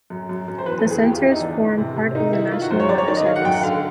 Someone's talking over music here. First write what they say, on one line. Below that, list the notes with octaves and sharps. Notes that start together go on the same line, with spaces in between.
The centers form part of the National Weather Service.
F#2
F#2
F#2
C5
E2 B4
A4
E2
G#4
E3 G4
F4
E2 E4
D#4
E2 D4
E3
C3
C3
D#3 D#4
D#3 E4
D#3 F4
F#4
F#2 C5
C#5
F#2 D5
C#5
D#3 D5
D#5
D#3 F5
F#5
F#2 G5
F#5
D3 F5